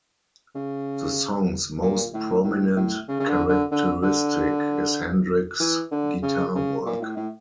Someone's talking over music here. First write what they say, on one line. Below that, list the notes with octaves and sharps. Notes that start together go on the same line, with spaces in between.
The song's most prominent characteristic is Hendrix's guitar work.
C#3
A#2
A2
A2
A2
C#3
C#3
D3
D3
D3
D3
E3
D3
C#3
C#3
A#2
A2
A2